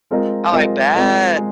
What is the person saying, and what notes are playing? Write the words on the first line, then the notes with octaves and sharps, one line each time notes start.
I bet!
G#3 C4 F4 A#4 D#5
G#3 C4 F4 A#4 D#5
G#3 C4 F4 A#4 D#5
G#3